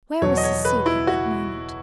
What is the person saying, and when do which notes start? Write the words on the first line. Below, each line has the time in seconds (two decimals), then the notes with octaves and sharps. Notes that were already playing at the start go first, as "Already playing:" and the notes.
Where was Cecilia at that moment?
0.22 E2 B2 F#3 C#5
0.37 D#5
0.44 C#5
0.65 B4
0.86 E4
1.07 F#4